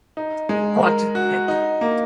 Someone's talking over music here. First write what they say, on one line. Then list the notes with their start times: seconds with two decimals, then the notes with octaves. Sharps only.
Huot et.
0.17 D#4
0.49 G#3
0.83 A#4
1.15 F#4
1.48 D#4
1.81 A#3